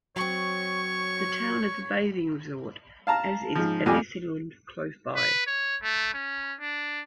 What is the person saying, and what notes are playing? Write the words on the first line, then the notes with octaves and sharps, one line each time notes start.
The town is a bathing resort, as is Elisenlund close by.
F#3 C4 C#5 C#6
F5 A5 A#5
G#2 F3
F2 G3 F4 G#5 D6
B4
C#5
A3
C#4
D4